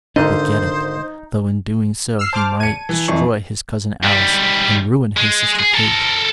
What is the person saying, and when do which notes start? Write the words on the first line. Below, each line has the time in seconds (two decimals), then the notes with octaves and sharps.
He would get it; though in doing so he might destroy his cousin Alice and ruin his sister Kate.
0.16 G#1 D3 D4 D#4 C5 D#5
2.19 E6 F6 C7
2.33 C5 A5 D6 F6
2.60 G#6 C#7 D#7
2.89 E3
3.08 F2 E3 E4 C#6
4.04 G#2 G3
5.17 G#3
5.59 G#4
5.74 A4 A#4